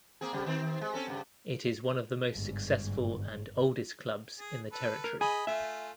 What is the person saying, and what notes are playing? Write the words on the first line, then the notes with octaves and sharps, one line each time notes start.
It is one of the most successful and oldest clubs in the territory.
A#3 C4 G#4
C#3 G3
D#3 C4
G#3
C4 C#4 A4
G2 A#2 C#3
G1 G#2
G#4
A4 B4
A#4
G#4 D#5 G#5 B5
A3 F4 E5